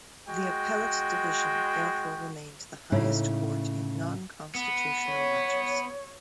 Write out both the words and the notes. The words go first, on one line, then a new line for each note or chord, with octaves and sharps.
The Appellate Division therefore remained the highest court in non-constitutional matters.
G#3 F#4 G5
A2 C#3 A#3 D#4 E4
B3
C#5